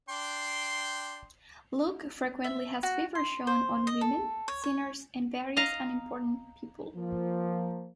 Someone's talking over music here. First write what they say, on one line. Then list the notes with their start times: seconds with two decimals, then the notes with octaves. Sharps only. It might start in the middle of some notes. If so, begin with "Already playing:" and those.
Luke frequently has favor shown on women, sinners, and various "unimportant" people.
0.09 D4 G5 C6
2.44 E5
2.83 F#4
3.15 C6
3.47 C5
3.87 D#5
4.01 A4
4.48 C#5
4.64 C#5
5.57 D#5 F5 A#5
6.95 F3 A#3